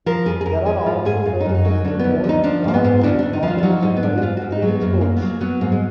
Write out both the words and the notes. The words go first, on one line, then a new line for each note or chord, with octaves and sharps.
There are also services to Mold, North Wales operated by Stagecoach.
F3 A#4
F2 G#4
G#4
F2 A#4
F3 G#4
G#2 F4
G#2 G#4
F#2 F4
D#4
F#2 D4
D#4
F#3
D#4
D2 D4
D2 B3
F3
D#4
F3 D4
G#2 A#3
B3
G#2
D2 D4
D2 D4
D#4
F3 F4
D4
F#3 D#4
G#2 D#4
B3
G#2 D4
F#4
G#2 F4
G#2 F#4
D#4
F#3
B3
F#2 A#3
F#2 A#3
B3
F#3 A#3
F#3 B3
G#2 A#3
G#3